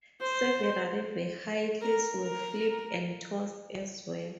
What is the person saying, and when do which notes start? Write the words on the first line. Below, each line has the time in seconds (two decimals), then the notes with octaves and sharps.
Several vehicles were flipped and tossed as well.
0.21 C5
1.81 A#4
2.21 A#4